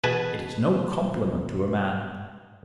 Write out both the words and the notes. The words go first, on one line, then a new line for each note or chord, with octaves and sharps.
It is no compliment to a man.
B2 E3 B3 G#4 B4 G#5 A5